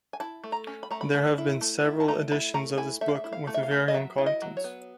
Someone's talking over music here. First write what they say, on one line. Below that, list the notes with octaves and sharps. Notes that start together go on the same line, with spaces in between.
There have been several editions of this book with varying contents.
G#5
E4 A5
A3
A#5
C#4
B5
A3 A#5
B5
A3
E4
A3
E4
A5
A3 A#5
E4 B5
A3 A#5
E4 G#5
A3 E5
F5
E5
E4
F5
A3
E5
F5
A3
D#5
F#3 E5
E4
D#5
F#3
C#5
B3